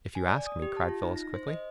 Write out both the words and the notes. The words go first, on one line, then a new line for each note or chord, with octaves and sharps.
"If you ask me," cried Phyllis quickly.
G#5
D5
D#6
G4
A5
F4
D#4
A#6
C5
D#5